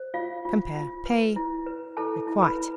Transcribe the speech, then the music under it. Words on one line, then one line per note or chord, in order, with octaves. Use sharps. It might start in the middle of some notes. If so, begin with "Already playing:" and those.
Compare PAY; REQUITE.
Already playing: C5
F4 F5
F4
F4
B4
E4
B4
E4 A4 A5
E4
B4 B5
E4